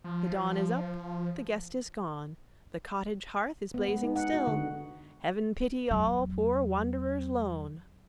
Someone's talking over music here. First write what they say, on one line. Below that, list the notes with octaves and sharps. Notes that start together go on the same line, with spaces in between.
The dawn is up--the guest is gone, The cottage hearth is blazing still; Heaven pity all poor wanderers lone!
F3
B3
G#3
D#4
F#5
F#4
D3
E2 F#3